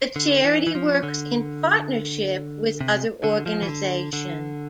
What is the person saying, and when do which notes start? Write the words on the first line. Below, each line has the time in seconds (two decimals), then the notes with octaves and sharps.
The charity works in partnership with other organisations.
0.16 D3
0.45 E3
0.67 E3
0.75 F3
1.03 D3
2.81 C3
3.24 D3
3.46 F3
3.63 E3
3.69 D3
4.13 D3